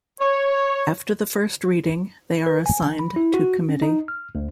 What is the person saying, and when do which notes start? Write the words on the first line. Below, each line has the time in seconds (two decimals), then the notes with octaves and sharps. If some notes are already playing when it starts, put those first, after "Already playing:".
After the first reading, they are assigned to committee.
0.20 C#5
2.46 B4
2.66 G#5
2.87 D#3
2.99 B5
3.16 E4
3.34 F#4
3.69 C#4
3.82 D#4
4.08 F6
4.35 D2